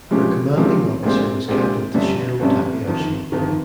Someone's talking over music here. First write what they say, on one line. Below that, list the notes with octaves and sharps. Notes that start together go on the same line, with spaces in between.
Her commanding officer was Captain Tashiro Takayoshi.
C3 F3 G#3 C#4 G4
C3 F3 G#3 C#4 G4
A#1 A#2 G#3 C4 G4
A#1 A#2 G#3 C4 G4
G1 F2 C3 G3 C#4
G1 F2 C3 G3 C#4
G1 F2 D#3
G1 F2 D#3